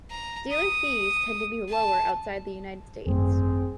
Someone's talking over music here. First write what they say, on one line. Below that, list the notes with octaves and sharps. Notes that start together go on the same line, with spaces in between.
Dealer fees tend to be lower outside the United States.
A#5
D#6
A5
G#1 F#2 A3 C4 G#4